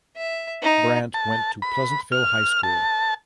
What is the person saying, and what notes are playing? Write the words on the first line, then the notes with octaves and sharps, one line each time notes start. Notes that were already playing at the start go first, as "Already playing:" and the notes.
Brandt went to Pleasantville High School.
E5
D#4
A5
B5
F6
A5